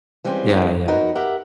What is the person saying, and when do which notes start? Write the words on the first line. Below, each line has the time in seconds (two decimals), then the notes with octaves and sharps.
Yeah, yeah.
0.24 E3 G3 G#3 C4 C#4 F4
0.88 D#4 F#4 A#4 B4 C#5
1.15 G4 A#4 E5 F#5